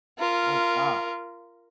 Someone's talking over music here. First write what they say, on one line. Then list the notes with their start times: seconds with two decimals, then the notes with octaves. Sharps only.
Oh, wow.
0.19 F4 A#4